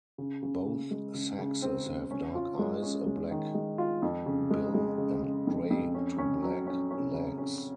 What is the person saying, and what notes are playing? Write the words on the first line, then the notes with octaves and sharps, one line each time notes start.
Both sexes have dark eyes, a black bill and grey to black legs.
C#3
C#3
C#3
G#3
C#3
C#3
C4
C#3
C#4
F4
G#3
C#4
G#3
D#3
G#3
F4
F2
C#3
G#3
G#3
C#3
C#3
F2
F2
C#4
C#4
F#3
C#4
C#4
C#3
C#4